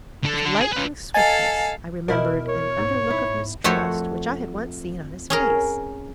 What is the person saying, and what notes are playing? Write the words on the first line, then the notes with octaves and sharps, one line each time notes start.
With lightning swiftness I remembered an under-look of mistrust which I had once seen on his face.
D3 A4
D3
G#4 G#5
F4 B4
A4 D#5 F5 G#5 A6
B2 E4 A#4
C#5
G#2
E4
F2 A3 F#4 C5 C#5
C#4 G#4 A#4